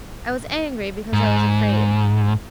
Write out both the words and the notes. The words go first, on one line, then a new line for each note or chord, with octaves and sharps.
I was angry because I was afraid.
G#2